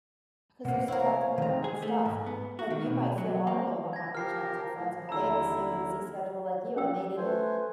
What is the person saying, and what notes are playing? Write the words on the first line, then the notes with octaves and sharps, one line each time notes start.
because they're so wrapped up in their own stuff, like, you might feel horrible about not reaching out to your friends, but they had the same busy schedule like you, and they didn't
C3 A#3 F#5
E4 A#4 C5 C#5 F5
D#3 C4 A#5
G#4
A3
G#2
B3
F#4
D#3
B2
F#3
A#3
G#6 A#6
F3 G4 A#4 F6 C7
A2 E3 F3
F3
D#2 D3 E4 A#5 E6
C#4 G5 E6
A3 B4 C5 G#5